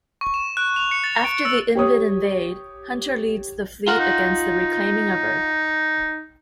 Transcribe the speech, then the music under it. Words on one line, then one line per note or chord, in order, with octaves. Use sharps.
After the Invid invade, Hunter leads the fleet against the reclaiming of Earth.
C#6
E7
F#6
F7
C#7
A6
D7
E6
G4 C#5 D#6
F4 A#4 F#5
D#4